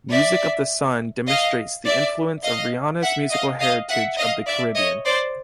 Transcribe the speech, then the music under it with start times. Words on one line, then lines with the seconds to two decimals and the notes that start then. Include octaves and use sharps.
"Music of the Sun" demonstrates the influence of Rihanna's musical heritage of the Caribbean.
0.11 D5 E5
1.28 D#5 F5
1.85 D5 E5
2.44 D#5 F5
3.02 E5 F#5
3.31 D#5 F5
3.60 D#5 F5
3.89 E5 F#5
4.18 D#5 F5
4.47 D5 E5
4.76 C#5 D#5
5.06 C5 D5